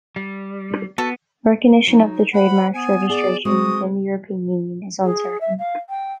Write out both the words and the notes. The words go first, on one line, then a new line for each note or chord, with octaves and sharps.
Recognition of the trademark's registration within the European Union is uncertain.
G3
B3 F#4 A4
F#3 D#4
C5 F#5 B5
B3 G#5
G#4 D5
G#3 B3 C4 F#4 D#6
G#4
E5
F5
G5